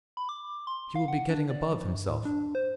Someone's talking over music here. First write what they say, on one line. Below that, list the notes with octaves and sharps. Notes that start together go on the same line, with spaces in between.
He will be getting above himself.'
B5
D6
C6
F5
F#5
D4
D5
F3
G2
A2
D4
C5